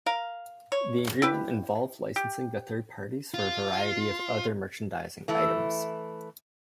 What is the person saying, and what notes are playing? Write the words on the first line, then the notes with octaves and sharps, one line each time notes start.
The agreement involved licensing to third parties for a variety of other merchandising items.
A#4 F5
C#5
E4 G4 B4
G4
F4
E3 A3 E4